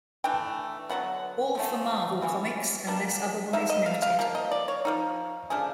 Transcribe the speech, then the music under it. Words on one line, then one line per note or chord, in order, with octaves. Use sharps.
All for Marvel Comics unless otherwise noted.
E3 A3 D4 G5
D3 F#3 B3 F#5
D3 F3 A3
C3 E3 G#3 C#4
B2 G3 A#3 D4
D3 F3 A#3 D#4 E5
D#5
F5
F5
F3 A#3
D#5
D5
C#5
F3 A#3 D#4
C#3 F3 A3 D4 G#4